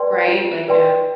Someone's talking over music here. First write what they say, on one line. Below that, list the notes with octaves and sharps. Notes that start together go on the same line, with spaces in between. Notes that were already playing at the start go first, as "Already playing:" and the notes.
Right, like a
Already playing: B4 D5 G5 C6
F4
B4 D5 G5 C6